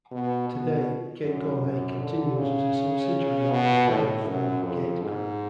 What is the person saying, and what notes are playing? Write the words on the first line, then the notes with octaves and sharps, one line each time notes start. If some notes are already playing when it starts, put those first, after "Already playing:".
Today, Gategourmet continues as a subsidiary under the parent firm Gate Group.
B2
B2
F#2
F#2
D3
C#3
B2
A2
F#2
F2
G#2